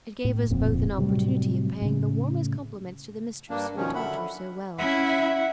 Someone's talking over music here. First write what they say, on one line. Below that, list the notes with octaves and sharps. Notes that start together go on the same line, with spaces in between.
It gave us both an opportunity of paying the warmest compliments to the mistress who had taught her so well.
A2
D1 F2 A#2 C4
A2 C3 F#3 G3
A2 C#3
G2 A#3 D4
B2 D#3 F3 C#4
D3 F#3 E5 F#5 B5
C#4 E4 E5 F#5